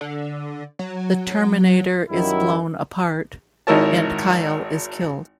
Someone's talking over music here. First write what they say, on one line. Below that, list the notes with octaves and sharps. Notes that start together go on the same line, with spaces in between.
The Terminator is blown apart, and Kyle is killed.
D3
F#3
F#2 D#3 F#3 G3 E4
G#1 D#4 E4 A#4 C#5 A5